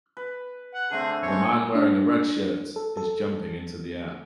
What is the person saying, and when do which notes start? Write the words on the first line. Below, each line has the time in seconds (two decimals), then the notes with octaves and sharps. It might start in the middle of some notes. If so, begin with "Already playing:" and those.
The man wearing a red shirt, is jumping into the air.
0.17 B4
0.74 F#5
0.91 D3 A3 C4 G#4
1.10 D4
1.23 G#3 C4 C#5 B5
1.75 D4
2.76 A4
2.97 A4